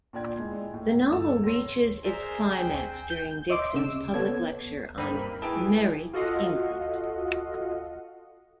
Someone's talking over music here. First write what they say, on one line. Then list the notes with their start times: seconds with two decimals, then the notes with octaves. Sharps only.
The novel reaches its climax during Dixon's public lecture on "Merrie England".
0.13 A#2 D4 D5 G5 G#6
0.39 G#3 E4
0.74 A2
1.12 G1 A4 E7
1.44 C#5 C6 E6 A#6
2.04 G#4 A#4 C5 D5 E5
2.57 C4 D4 G4 C5 G5 G#5
3.10 G6
3.50 C#5 D#5 E5 C6 D6
3.74 C#3 E6
4.14 B3 A4 C#5 G#6
4.98 G2 A#3 C4 D#4 B5
5.42 E3 E4 G#4 G5 A5
6.13 F4 F#4 A4 D#5 F5 F#5